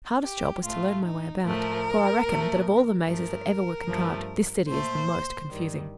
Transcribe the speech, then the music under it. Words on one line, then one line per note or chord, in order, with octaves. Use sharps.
The hardest job was to learn my way about, for I reckon that of all the mazes that ever were contrived, this city is the most confusing.
G4
A2 A3 F4
D#4
A2 F3 A3 A#4
A#2 F3 A3
G2 F3 A3 A#4
G2 F3 A3
A#2 A3 C5
G2 D#3 G3